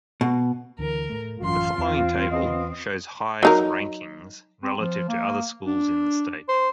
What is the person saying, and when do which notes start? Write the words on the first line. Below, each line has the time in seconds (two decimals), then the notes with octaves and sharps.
The following table shows High's rankings relative to other schools in the state.
0.21 B2
0.79 D2 D3 E3 A#4
1.10 A2 A3
1.40 A1 F#2 E3 F4 C6
1.78 E2 C4
2.31 B3 F4 D#5
3.43 F#3 D#4 A#4
4.63 C4
4.79 F3
5.09 A#3
5.66 D4
6.48 C5